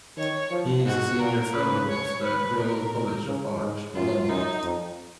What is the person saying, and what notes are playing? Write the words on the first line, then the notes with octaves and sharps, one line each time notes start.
He is a Senior Fellow of the Royal College of Art, London.
D#3 C#5
F3
G#2 F#4
A#2 A#4
C#3 B4
C#5
B4
B2 A#4
B2
C#3
G#2
F#2 F4
F#2 D#4
F2